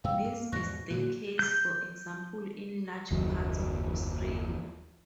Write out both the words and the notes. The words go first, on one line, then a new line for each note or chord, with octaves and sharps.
This is the case, for example, in large parts of Australia.
G2 F5 G5 E6
A#3
E2 G#2 B2 C#6 F#6 A#6
A#2 D3 F#3 F#4
G6
F#1 D#2 F#3